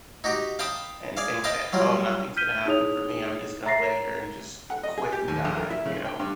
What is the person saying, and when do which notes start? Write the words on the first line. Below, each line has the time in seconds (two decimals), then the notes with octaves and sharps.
and think that, "Oh, nothing's gonna happen for me, I'm just gonna lay here and just quit and die," you know?
0.24 D#4 F#4 G4
0.59 F5 G5 A5 B5 D#6
1.17 G#4 D5 F5
1.44 D#5 F5 G5 A5 B5
1.73 F#3 G3 F4
2.37 F6 G6 B6 D#7 G7
2.66 D#4 E4 G#4 C#5 D#6 F7
3.65 E5 A#5 A6 A#6 C7
3.80 A#4 C#5 A#5
4.70 F#5
4.83 D#5
4.97 G#4
5.12 G4
5.28 D#2
5.45 A#1
5.57 A#4
5.70 E4
5.86 C#3
6.05 G5
6.19 G2